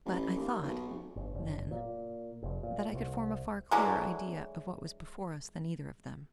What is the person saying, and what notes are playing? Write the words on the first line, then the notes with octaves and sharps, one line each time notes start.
But I thought--then--that I could form a far clearer idea of what was before us than either of them.
A1
D#2
B1
F1
G1
F#1
A#2
F1
A#2
C2
D3 E3 F#3 G#3